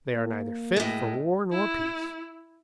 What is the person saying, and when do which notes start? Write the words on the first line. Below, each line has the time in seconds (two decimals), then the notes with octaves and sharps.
They are neither fit for war nor peace!
0.15 A#3
0.76 A2 G#3
1.51 E4